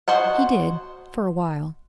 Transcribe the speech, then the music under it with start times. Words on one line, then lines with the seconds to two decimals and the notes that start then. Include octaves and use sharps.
He did--for a while.
0.08 F#4 C5 D#5 F#5